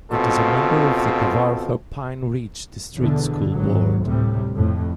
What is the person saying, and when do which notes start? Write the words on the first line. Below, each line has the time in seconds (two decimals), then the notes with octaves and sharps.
It is a member of the Kawartha Pine Ridge District School Board.
0.12 C#2 B2 C4 F4 A4
2.97 E2 B2 D3
3.50 G#1 F#3
4.04 D2 A2 C3 G3
4.55 F2 A2